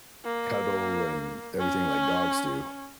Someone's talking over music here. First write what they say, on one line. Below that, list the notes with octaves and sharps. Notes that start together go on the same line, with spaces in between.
cuddle, and everything like dogs do.
A#3
C#4